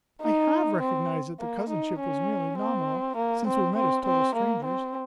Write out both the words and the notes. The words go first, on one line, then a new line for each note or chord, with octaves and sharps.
I HAVE recognized that the cousinship was merely nominal, since we met as total strangers.
D#4
C4
A#3
D#4
C#4
C4
A#3
C4
C4
C4
A#3
C4